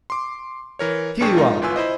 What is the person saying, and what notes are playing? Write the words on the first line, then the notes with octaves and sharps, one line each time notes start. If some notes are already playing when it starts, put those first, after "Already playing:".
'Here you are!
C6 D6
E3 A#4 C#5
B1 D4 G#4 G5 C#6
G#3 D#4 F4
G1 F4 B4 G#5 E6
E4 C5 D#5